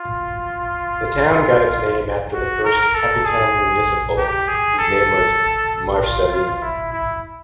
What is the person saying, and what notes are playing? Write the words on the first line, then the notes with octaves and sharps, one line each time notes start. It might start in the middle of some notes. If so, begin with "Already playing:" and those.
The town got its name after the first Capitan Municipal whose name was Marcelino.
Already playing: F4
F#4
A#4
A4
G#4
G4
G#4
A4
F4
F4
E4
E4